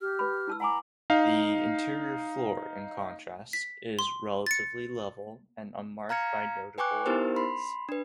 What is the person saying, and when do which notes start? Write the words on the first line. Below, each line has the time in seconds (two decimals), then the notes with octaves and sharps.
The interior floor, in contrast, is relatively level and unmarked by notable impacts.
0.01 G4 F6
0.19 B4 B5
0.48 E4 A5 E6
0.60 F#5 G#5 A#5 B5 D6
1.10 D#4 F5
3.53 B6
3.99 C6
4.47 A6 C#7
6.09 F5 A#5 F6 G#6 C#7
6.78 B4 G5 G#5 C#6 D6 F#6
7.06 B3 D#4 E4 G4 A#4 C5
7.36 B5 C6
7.89 D4 B4